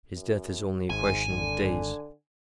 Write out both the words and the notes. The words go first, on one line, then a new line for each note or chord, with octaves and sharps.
His death is only a question of days.
F#2
G#1 G#2 G#5
D3